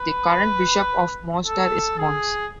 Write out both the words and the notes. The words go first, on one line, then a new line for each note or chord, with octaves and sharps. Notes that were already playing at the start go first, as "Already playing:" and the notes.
The current bishop of Mostar is Mons.
Already playing: B4
A4
G#4